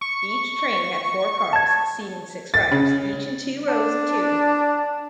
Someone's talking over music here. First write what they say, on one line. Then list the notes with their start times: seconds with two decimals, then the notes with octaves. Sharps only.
Each train had four cars seating six riders each in two rows of two.
0.01 C#6
1.53 A5 G#6
2.54 A6
2.71 C#3
3.69 D4